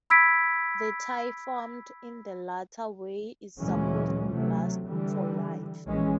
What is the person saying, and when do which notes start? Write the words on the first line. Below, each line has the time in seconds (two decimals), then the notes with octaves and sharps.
The tie formed in the latter way is supposed to last for life.
0.10 B5 E6 G#6 B6 D7
3.60 D2 A#2 E3 F#3 G#3 C#4
4.31 C3 F#3 A3
4.87 D3 E3 G3
5.88 A#1 E3 G#3 C#4